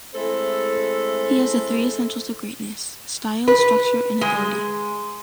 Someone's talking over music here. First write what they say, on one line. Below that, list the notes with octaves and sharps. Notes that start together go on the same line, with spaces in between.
He has the three essentials of greatness: style, structure, and authority.
G#3 A3 C4 E4 A4
B4
G#3